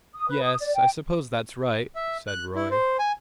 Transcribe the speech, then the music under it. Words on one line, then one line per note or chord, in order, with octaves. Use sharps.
"Yes; I suppose that's right," said Roy.
D#6
B4
D#6
D5
G5
E5
F#6
E4
C5
G#5